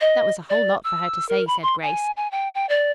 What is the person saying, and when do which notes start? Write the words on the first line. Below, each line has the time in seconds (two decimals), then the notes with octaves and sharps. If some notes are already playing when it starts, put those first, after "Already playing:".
"That was a whole lot for her to say," said Grace.
0.01 D#5
0.50 D5
0.84 E6
1.29 A#4
1.47 B5
1.63 C6
1.82 G#5
2.17 G#5
2.32 G5
2.55 G5
2.69 D5